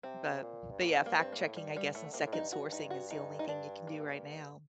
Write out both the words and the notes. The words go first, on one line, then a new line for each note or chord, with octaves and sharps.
but but, yeah, fact checking, I guess, and second sourcing is the only thing you can do right now,
C3 C4
C3
A#2
G2
A2 A#3
C4
G2
A#3
G2 C4
A#3
A2
G2 G3
G3
A2 A3
D3
C3 A#3
A#2
A2
G2 D#4
F#4
D#4
F#4
D#4
D#4
D4
A#3